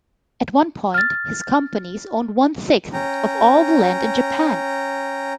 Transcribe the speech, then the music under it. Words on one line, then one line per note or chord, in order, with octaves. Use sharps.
At one point, his companies owned one sixth of all the land in Japan.
F6 A6
C#4 G5 A#5